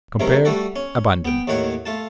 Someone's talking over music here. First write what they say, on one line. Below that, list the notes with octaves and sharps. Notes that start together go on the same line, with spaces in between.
Compare ABANDON.
F#2 C3 D#3 A3 A#4
G3 A3 F#4 A4
C#4
B3 G5
D#2 A2 D#3 C#5 F#5 C#6
A3 F4 A5